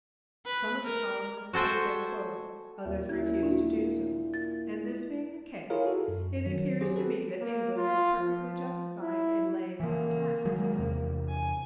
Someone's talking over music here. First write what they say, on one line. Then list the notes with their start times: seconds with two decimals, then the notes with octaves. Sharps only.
Some of the colonists paid their quota, others refused to do so, and this being the case, it appears to me that England is perfectly justified in laying on a tax.
0.46 B4
0.84 A#4
1.53 F#4 A4 C5 G5 G#5
2.85 D#2 A#2
3.09 C#3 A#3 E4 G#6
3.43 A#2 D4 F4 F#4
4.34 A6
5.70 E4 F4 G#4 A#4 C#5 F5
5.86 F#4 A4
6.08 F#2
6.46 D#3 F#3
6.81 F#3 G4 G#4 C5
6.96 C4 F#4 A4 B4
7.40 A#3
7.76 F4
8.18 F3
9.00 E4
9.80 C#3 E3 A#3
10.45 D#3 F#3 G#3
10.78 E2 C3
11.28 G#5